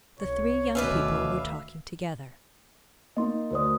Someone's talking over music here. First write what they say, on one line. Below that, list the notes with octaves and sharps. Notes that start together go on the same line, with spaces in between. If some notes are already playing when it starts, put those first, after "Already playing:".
The three young people were talking together.
C2 C#5
D2 B2 D#3 C#4 B4 D5 E5 F5
A#3 D#4 D#5 C6
D2 A#4 C5 D5 D#6